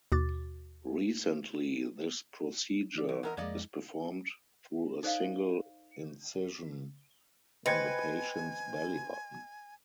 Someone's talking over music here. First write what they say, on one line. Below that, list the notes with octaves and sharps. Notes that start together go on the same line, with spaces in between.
Recently, this procedure is performed through a single incision in the patient's belly-button.
D#2 B2 F#4 D6 A6
E3 D5
E2
E2 A#4 D#5 F#5
F2 G#3 A#3 D5 D#5
D#4 A4 C5 D5 D#5 F5
B4 C5 D#5 G5 G#5 G#6 A#6 C#7